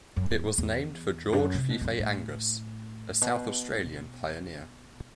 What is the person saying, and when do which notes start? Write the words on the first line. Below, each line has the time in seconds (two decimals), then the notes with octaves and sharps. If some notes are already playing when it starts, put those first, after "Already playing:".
It was named for George Fife Angas, a South Australian pioneer.
0.16 F#2
0.30 E2
0.58 E2
1.32 G2
1.39 F#2
1.54 C3
1.70 B2
1.81 E2
1.85 F#2
1.99 A2
3.22 B2
3.75 A2
3.83 B2